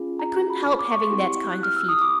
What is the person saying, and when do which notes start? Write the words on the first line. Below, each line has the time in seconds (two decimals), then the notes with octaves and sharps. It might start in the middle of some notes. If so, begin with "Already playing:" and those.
I couldn't help having that kind of feet.
Already playing: C#4 F4 G#4
0.19 A#5
0.50 B5
0.79 D6
0.91 C#6
1.02 C6
1.11 C4 E4 G4 C#6
1.51 F#6
1.63 F6
1.76 E6
1.89 D#6
2.01 D6